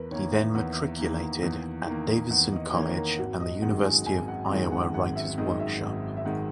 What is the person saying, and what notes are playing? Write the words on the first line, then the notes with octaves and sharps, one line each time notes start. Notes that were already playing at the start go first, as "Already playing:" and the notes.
He then matriculated at Davidson College and the University of Iowa Writers' Workshop.
Already playing: E2 A#4 B4
D#3 A#3 C#5
E5
E2 F#5
D#3 A#3
E2
D#3 A#3
E2 F#5
D#5
D#3 A#3 C#5
A#4
G#1 F#4
D#5
F#2 D#3 G#3 F#5
G#5
G#1 G#5
F#5
F#2 D#3 G#3
F#5
G#1 F#5
E5
F#2 D#3 G#3 D#5
E5
G#1
E5
D#3 G#3 F#5